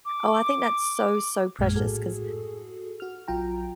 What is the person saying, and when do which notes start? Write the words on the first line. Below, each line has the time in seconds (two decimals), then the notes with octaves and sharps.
oh, I think that's so, so precious 'cause,
0.05 D6
1.59 A#1 F#2 A#2 G#3 F6 G#6
1.75 A2 F#4 G#4 A4
3.00 F#4 F6
3.28 A#1 F#3 F4 G5 A#5